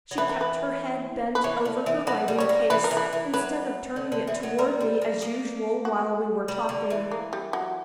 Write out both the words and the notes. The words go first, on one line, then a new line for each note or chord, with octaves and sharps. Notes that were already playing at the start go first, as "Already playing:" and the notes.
She kept her head bent over her writing-case, instead of turning it toward me as usual while we were talking.
F#3
E3 B4
A#4
B4
B4
E3 C#5
D3
E3
F#3 B4
G3
G3 C#5
A#3
E3 B4
A#4
E3
B4
E3
F#3 B4
D3
D3
E3
F#3
G3 A#4
G3
A#3
A#3
F#4
G3
D3
E3
A#3
G3
F#3